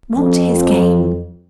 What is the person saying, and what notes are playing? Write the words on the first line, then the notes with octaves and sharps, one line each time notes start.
What his game?
F2